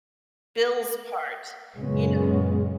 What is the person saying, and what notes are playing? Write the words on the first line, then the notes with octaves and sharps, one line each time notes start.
bills part, you know?
F#2 A#2 C#3 G#3 B3 C#4